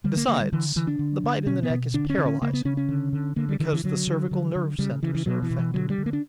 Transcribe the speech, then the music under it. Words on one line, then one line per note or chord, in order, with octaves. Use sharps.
Besides, the bite in the neck is paralysing, because the cervical nerve- centres are affected.
D3 G3
A#3
D3 A#3
G3
D3 E3
D3 E3
D4
D3
D3
B2 C#4
B3
B2
D3 D4
C#4
D3
C#4
C#3 A#3
B3
C#3 C#4
C#4
D3
D3
D3 A#3
G3
D3 E3
E3
D3 F#3
D3
D3
D3
C#3 G3
C#3 E3
E3
B2 F#3
E3
B2
E3
D3 F#3
G3
D3
A#3
D4